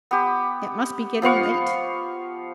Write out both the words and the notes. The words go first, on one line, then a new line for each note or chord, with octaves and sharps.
It must be getting late!
B3 G4
F3 B3 F5 C#6